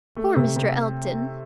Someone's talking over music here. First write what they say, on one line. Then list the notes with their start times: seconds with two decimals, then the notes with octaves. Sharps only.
Poor Mr. Elton!
0.16 A3
0.36 C3
0.56 C3